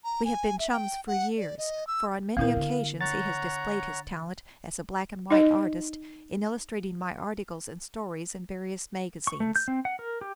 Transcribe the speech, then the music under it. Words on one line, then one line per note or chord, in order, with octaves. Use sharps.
We have been chums for years, for on many occasions he has displayed his talent as a black and white artist in illustrating my articles and stories in various magazines.
A#5
G#5
E5
G5
F#5
D5
D#5
E6
A#2 D#3 B3 E4 A#4 F5
D3
C#5 F#5 A#5 A6
D#4 D#5
C#6
A3
G6
C4
F#5
A#4
G4